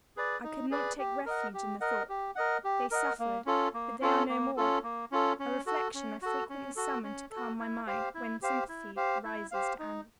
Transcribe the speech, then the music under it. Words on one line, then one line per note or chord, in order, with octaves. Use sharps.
I could not take refuge in the thought: they suffered, but they are no more! a reflection I frequently summon to calm my mind when sympathy rises to anguish.
G#4 B4 D5
D#4
G#4 B4 D5
G4
A#4 D#5 F#5
G4
A#4 D#5 F#5
G4
A#4 D#5 F#5
G4
A#4 D#5 F#5
A#3
C#4 F4 A4
A#3
C#4 F4 A4
A#3
C#4 F4 A4
A#3
C#4 F4 A4
C#4
F#4 A4
C#4
F#4 A4
C#4
F#4 A4
C#4
A4
F#4
E4
G4 C5 F5
E4
G4 C5 F5
E4
G4 C5 F5
E4
G4 C5 F5
D#4